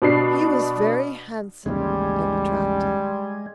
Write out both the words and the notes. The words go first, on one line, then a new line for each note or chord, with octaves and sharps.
He was very handsome and attractive.
B2 D4 C7
A1 D#2 C#3 G3 G#3